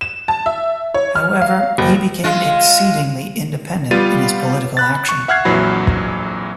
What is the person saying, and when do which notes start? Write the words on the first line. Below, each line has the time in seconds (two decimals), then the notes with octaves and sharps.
However, he became exceedingly independent in his political action.
0.01 E7
0.28 A5
0.46 E5
0.94 C#5
1.16 F6
1.42 F5
1.78 F#1
2.24 G#3 F4
3.91 G3 B3 F4 F5 A6 D#7
4.77 B5 F#6 A6
5.09 C#6
5.28 E5 F#5 F6 F#6 G#6 C7
5.45 A#1 F2 E3 F#3 B5